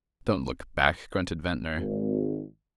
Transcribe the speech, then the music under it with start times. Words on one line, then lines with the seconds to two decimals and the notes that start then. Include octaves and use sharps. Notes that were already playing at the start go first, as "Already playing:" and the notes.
"Don't look back," grunted Ventnor.
1.76 G#1